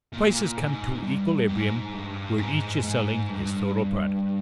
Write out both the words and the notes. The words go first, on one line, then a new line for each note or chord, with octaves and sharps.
Prices come to equilibrium where each is selling his total product.
A#2
G#2
G2
G#2
G2
G#2
G#2
G2